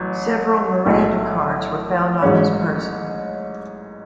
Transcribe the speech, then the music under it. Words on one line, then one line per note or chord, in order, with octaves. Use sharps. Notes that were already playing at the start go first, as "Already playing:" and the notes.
Several Miranda cards were found on his person.
Already playing: A1 F#3
B1 A2 F#3 A3
A1 G#2 F#3 C#4 G#4